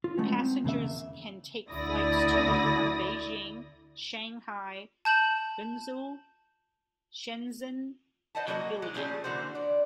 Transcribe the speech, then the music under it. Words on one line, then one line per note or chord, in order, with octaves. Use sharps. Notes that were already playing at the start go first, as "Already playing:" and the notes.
Passengers can take flights to and from Beijing, Shanghai, Guangzhou, Shenzhen, and Guilin.
F4
G#3 A3 B3 C#4
C4
E2 C#3 A#3 E5
D2 D3 E4 D5 D#6 A#6
A5 G6 E7 F#7
B4 C5 D#5 F#5 G#5 A5
E3 F#3 A#3 F#4 C5 D#5
F#3 G#3
A#2 F3 G3 A3 C#4 G#4
D3 E3 A#3 F#4 C5
D5